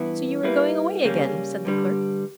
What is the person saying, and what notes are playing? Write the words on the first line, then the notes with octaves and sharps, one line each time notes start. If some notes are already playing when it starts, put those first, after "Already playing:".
"So you are going away again!" said the clerk.
Already playing: G2 E3 B3 E4
G3 A#3 E4 B4
C#3 G3 A#3 C#4
G2 D3 G3